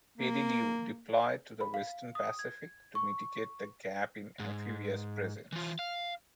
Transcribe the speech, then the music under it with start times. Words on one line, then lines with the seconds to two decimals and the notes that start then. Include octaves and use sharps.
"Peleliu" deployed to the Western Pacific to mitigate the gap in amphibious presence.
0.17 A#3
1.61 B5
1.74 F5
2.15 D#6
2.39 G#6
2.95 C#6
4.40 G#2
5.52 E3 F4
5.79 F5